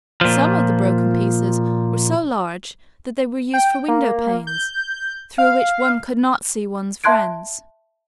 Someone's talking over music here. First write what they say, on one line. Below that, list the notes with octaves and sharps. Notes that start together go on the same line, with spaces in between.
Some of the broken pieces were so large that they were used for windowpanes, through which one could not see one's friends.
A#2 F3
G5
A#3
G6
F5
E5 A5 C6 F#6 G#6 D7